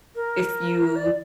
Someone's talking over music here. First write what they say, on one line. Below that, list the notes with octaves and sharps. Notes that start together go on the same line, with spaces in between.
if you
A#4
D5